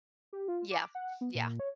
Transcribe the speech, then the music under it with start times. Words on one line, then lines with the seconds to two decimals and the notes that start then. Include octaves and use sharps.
Yeah, yeah.
0.33 G4
0.48 F4
0.71 D6
0.95 F#5
1.21 B3
1.35 A#2
1.60 C#5